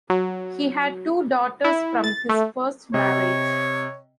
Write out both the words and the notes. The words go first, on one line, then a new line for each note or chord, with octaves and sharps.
He had two daughters from his first marriage.
F#3
E4
A6
A3
C3 C#5 D#5